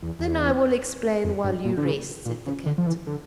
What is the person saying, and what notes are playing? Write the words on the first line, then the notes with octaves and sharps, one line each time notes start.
"Then I will explain while you rest," said the captain.
E2
E2
F2
G2
A#2
D3
C#3
A#2
C#3
D3
F3
E3
D3